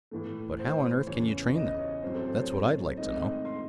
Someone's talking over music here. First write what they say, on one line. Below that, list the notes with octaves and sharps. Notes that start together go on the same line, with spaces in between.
"But how on earth can you train them? That's what I'd like to know."
A2 E3 A3
C5
E2 C#3 E3 C#5
D#5
C#5
A2 F#3 C4 C5
A4
C5
C#5
G#2 D#3 A3 C4 D#5
C6